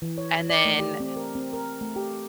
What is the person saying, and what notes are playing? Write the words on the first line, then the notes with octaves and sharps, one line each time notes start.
And then,
E3
C#5
D5
A3
G4
C4
A#4
C4
A#4
A3
G4